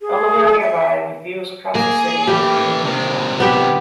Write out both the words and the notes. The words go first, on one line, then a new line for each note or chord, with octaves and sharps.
A lookout nearby, with views across the city, is named in his honour.
G#4
E5
A#3 G#4
E3 A3 G4
C3 D#3
B3 G4 E5